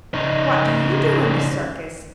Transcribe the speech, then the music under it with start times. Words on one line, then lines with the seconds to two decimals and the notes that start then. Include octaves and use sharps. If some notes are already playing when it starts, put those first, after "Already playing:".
"What do you do in the circus?"
0.14 C#3 D#4